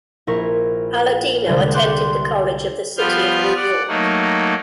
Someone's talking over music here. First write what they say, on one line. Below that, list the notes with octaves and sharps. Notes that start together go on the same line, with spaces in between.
Paladino attended the College of the City of New York.
A#1 E4 A#4 C#6 G#6
C2 D3 G3 G#3
C6 D6 F#6 G6
F3 G3 B3 F4 F6 G6
D5 F#5
F#3 A3 A#3 D#4